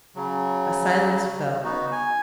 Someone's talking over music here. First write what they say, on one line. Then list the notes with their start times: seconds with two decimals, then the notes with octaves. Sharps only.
A silence fell.
0.16 C#3 F#3
1.64 B3 D#4 F#4
1.92 G#5